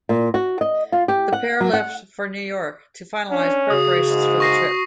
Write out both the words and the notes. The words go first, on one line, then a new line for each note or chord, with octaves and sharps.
The pair left for New York to finalize preparations for the trip.
A#2
F#4
D#5
F4
G4
F#5
F#3
F#5
C#4 D4
C#3 F#4 D#6
G#2
C#6 A#6 C7